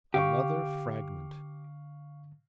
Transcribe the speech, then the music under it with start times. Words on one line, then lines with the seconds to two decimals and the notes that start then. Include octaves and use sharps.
Another fragment.
0.14 D3 G4 F5 C#6